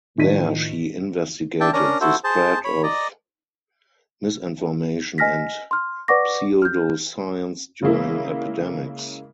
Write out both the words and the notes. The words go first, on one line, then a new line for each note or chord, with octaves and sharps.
There she investigated the spread of misinformation and pseudoscience during epidemics.
A2 D#3 F3 D4 B6 D#7
D4 E5 G5 A5
C#4 D4 A#4 A#5
E4 F#4 A4 C5
G#4 C5 A5
C#5 B5
D5 D#5 A#5
D#5 G#5 F6 A#6 B6
C6 F6
B4 D5 F#5 C#6 D6 A#6
F6 G6
C#3 G#3 A#3 E4